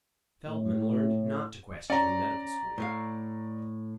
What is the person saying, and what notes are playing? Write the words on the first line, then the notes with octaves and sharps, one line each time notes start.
Feldman learned not to question in medical school.
A2
C#4 D5 A#5
A2 A3 F5